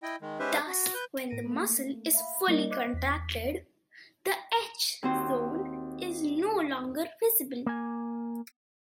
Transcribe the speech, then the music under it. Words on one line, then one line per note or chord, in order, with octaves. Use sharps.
Thus when the muscle is fully contracted, the H zone is no longer visible.
E4 D#5 G5
D#3 G#3
G#3 C#4 G4 B4 C5 E5
F#4
B4 G6
A2 A#4 A#6 D7 D#7
A3 A#3
E5 F5 B5
G3 A#3 D#4 A#4 D5 D#5
C5 D#5 D6 F#6
E2 B6
D#2 C4 F#4 C5
A#3 G#5